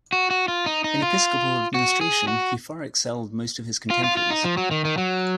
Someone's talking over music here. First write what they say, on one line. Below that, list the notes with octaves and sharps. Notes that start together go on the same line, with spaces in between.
In episcopal administration he far excelled most of his contemporaries.
F#4
F#4
F4
D#4
D#4
F4
F#4
G#4
F#4
F4
F4
F4
D#4
F3
F#3
D#3
D#3
F#3